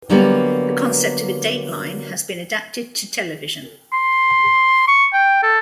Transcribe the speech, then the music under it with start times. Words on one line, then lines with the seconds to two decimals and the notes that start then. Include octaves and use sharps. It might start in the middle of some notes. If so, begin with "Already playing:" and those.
The concept of a dateline has been adapted to television.
0.09 D3 F#3 G3 A#3 B3
3.93 C6
4.88 C#6
5.13 G5
5.43 A4